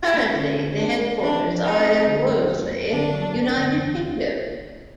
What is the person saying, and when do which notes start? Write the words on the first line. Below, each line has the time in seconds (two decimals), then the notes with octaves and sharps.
Currently the headquarters are in Worsley, United Kingdom.
0.14 A#3
0.36 D3 C#4
0.56 D3
0.78 C4 D4
1.00 G#3
1.20 C4 D4
1.42 F3
1.63 C4 D#4
1.86 C4
2.07 D3
2.29 F#2
2.49 F#3
2.70 A#3
2.92 D3 D4
3.14 F#3
3.35 F#2
3.57 D3
3.77 E2